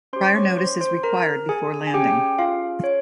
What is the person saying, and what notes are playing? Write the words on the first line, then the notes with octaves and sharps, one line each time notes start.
Prior notice is required before landing.
C#4 G4 C5 C6
C#5 C#6
C5 C6
C5 C6
A#4 A#5
G#4 G#5
G#5
C#4 G4 G#4 G5
F4 F5
C#5